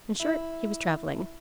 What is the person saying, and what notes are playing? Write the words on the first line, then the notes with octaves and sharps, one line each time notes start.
In short, he was travelling.
E4